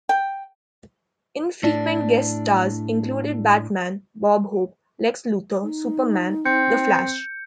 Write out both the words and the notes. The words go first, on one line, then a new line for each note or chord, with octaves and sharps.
Infrequent guest stars included Batman, Bob Hope, Lex Luthor, Superman, the Flash.
G5
A2 D4
D#4
C4 G6 C#7